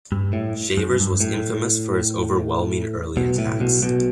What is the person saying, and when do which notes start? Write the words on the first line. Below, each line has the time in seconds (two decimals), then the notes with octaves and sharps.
Shavers was infamous for his overwhelming early attacks.
0.12 G2
0.33 A2
0.77 F#2
1.00 G2
1.21 A2
3.17 B1 B2
3.38 A2
3.60 B1 B2
3.82 B1 B2